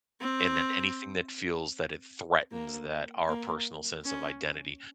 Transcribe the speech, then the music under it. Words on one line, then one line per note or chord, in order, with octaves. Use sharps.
And then anything that feels that it threatens that our personal sense of identity,
C4
A#3
A#3
C#4